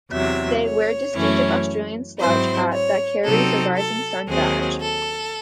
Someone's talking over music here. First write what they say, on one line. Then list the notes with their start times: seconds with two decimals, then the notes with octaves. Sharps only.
They wear the distinctive Australian slouch hat that carries the 'Rising Sun' badge.
0.10 E2 C3 F#3 E5
0.63 C#5
1.15 F#2 E3 A3 C#4 E4
2.19 G#2 F#3 C4 E4 C5
2.71 C#5
3.24 C3 F#3 C4 D#4 A4
3.76 A4
4.27 D#2 D#3 F#3 C4 G#4
4.81 A4